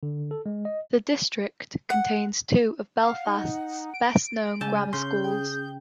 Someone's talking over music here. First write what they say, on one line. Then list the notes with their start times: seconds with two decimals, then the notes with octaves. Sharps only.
The district contains two of Belfast's best known grammar schools.
0.03 D3
0.31 A4
0.46 G#3
0.65 D#5
1.90 F#5
3.03 F5 F#5
3.26 D#4
3.94 D7
4.61 C#3 G#3 G#5 A5 G6
4.93 C#3 C6 G6
5.24 G#4 G5